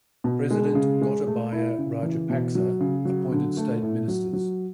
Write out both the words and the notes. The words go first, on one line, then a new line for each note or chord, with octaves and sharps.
President Gotabaya Rajapaksa appointed state ministers.
B2
G#3
C#3
G#3
A3
E4
C#3
E3
B2
F#3
C#3
F#3
D3
A3
A2
F#3
F#3